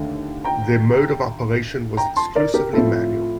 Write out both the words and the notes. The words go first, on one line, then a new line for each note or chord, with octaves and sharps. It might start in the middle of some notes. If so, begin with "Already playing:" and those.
Their mode of operation was exclusively manual.
Already playing: D#2 D3 A3
G5 A#5
G5 A#5
A5 C6
A#4 D5
G4 A#4
A2 F3 A3 C4 F4 A4